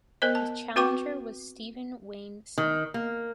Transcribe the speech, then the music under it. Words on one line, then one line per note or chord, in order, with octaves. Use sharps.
His challenger was Steven Wayne Smith.
B3 A#4 C5 D#5
A5
C4 F#4 B4 G5 C#6 D6
D#3
A#3